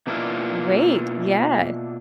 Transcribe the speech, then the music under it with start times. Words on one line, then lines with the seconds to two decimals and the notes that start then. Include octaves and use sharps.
Wait, yes.
0.07 B2 A#3 D4 E4 F4